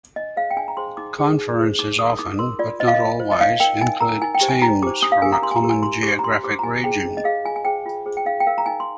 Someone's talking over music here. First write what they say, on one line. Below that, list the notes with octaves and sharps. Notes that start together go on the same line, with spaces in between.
Conferences often, but not always, include teams from a common geographic region.
D4 D#5
G#4 C5 F5
G5
D4 G#5
A#5
G#4 C5 C6
D#4 D6
G#4 C5
D#4
G#4 C5
D#4 D6
A#4 D#6
D#4 D6
A#4 C6
F4 D5
C5 D#5
F5
D#5
F4
C5
D#5
D#4 F5
A#4 G5
D#4 G#5
A#4 A#5
D#4 G#5
G5
G4 C5
G#5
D#4 A#5
G4 C5 D6
D4 D#6
F5
G4 A#4 G#5
A#5
D4 C6
G#5
A#5
G4 A#4
G#5
D4 C6
G4 D6
C5
A#5
D4 C6
G4 C5 D6
A#5
D#4 G#5
G#4 C5 G5
D#4
D#5
G#4 C5 F5
F4 G#5
G#5
G#4 C5 G5
F4
G#4 C5
G5
D#4 F5
G5
A#4 F5
A#5
D#4 G#5
C6